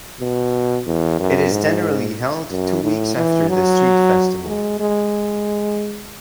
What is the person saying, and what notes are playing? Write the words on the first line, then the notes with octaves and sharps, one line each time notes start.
It is generally held two weeks after the street festival.
B2
E2
F#2
G#2
F#2
A2
E3
F#3
G#3
G#3